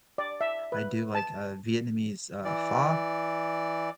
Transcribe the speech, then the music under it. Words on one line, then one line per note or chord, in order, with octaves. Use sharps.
I do, like, uh, Vietnamese, uh, pho,
D5
E5
B4
A5
E3 D5